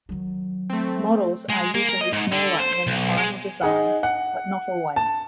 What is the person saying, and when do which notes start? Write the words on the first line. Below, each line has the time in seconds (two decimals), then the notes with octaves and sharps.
Models are usually smaller than the final design, but not always.
0.09 D#3 F#3
0.70 A3 C4
1.50 G#3
1.75 A#3
1.89 A#4
2.01 D#5
2.13 G#2
2.32 D3
2.59 C5
2.73 C5
2.87 B1
3.17 G#3
3.61 D#4 G#4 F#5
4.03 F#5
4.96 A5